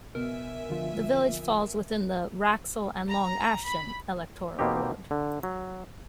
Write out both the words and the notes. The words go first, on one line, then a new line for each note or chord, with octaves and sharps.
The village falls within the 'Wraxall and Long Ashton' electoral ward.
B2 A#4 E5 G#5
D3 F3 F4
A#5
B5
B2 A#3 C4 D#4 G4
D3
F#3